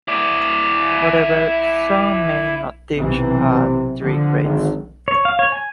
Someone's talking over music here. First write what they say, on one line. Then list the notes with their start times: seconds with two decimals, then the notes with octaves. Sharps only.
However, some may not teach all three grades.
0.08 E4 D5
2.95 B1 C3 E3 C4
4.00 D3 F3
4.41 G#1
5.08 C#5
5.25 F5
5.39 C#5
5.52 G#5